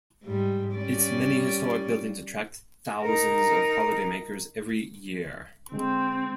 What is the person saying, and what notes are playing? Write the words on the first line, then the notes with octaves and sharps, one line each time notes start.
Its many historic buildings attract thousands of holidaymakers every year.
G#2 G3
G3 C#4 D5
D#4 A#4
D3 G#3 C4